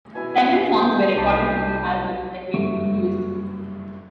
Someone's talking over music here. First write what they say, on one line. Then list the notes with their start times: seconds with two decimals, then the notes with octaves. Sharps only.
Several songs were recorded for the album that went unused.
0.15 B2 E4 G#4 G#5
0.77 G5
1.16 C2 D4 D#4 G4 B4
2.54 F#1 G2 A4 E5 C#6